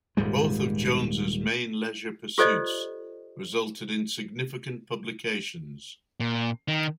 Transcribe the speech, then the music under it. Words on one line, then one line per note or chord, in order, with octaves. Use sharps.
Both of Jones's main leisure pursuits resulted in significant publications.
D#1 G#2 G3 G#3
F4 G4 A4 C5 D5 D#5
A#2
D#3